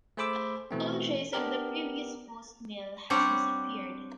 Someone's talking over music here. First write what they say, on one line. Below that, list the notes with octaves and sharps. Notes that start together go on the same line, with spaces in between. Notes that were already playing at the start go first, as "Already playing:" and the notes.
All trace of a previous post mill has disappeared.
A3 G#4 C5 B5 D6 E6
B2 E3 A3 C4
B3 D4 G4 A#4
G3 C4 D4 C#5 F#5